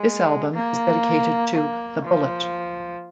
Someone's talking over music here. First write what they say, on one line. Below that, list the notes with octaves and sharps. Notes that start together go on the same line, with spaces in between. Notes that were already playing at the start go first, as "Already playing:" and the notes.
This Album is dedicated to "The Bullet".
Already playing: G#3
A#3
A#3
F3